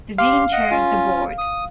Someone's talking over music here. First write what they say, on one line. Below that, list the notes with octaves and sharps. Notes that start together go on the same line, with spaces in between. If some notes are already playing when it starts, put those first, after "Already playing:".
The Dean chairs the Board.
G4 F5 C6
D#5 F#5
C#4 F4
D#6